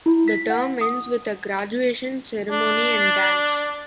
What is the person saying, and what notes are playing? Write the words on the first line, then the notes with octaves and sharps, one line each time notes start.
The term ends with a graduation ceremony and dance.
E4
B6
F#5
D#6
D4